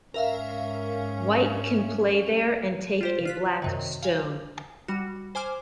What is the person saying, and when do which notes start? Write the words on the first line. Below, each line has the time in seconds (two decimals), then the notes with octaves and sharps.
White can play there and take a black stone.
0.14 G#2 C#4 A#4 E5 F5
3.01 F4 G4 C5
3.25 F4 F#6 B6
3.62 F#2 C3 D#3
4.03 F5 G#5
4.88 G3 F#4
5.35 C5 G#5 D6 F6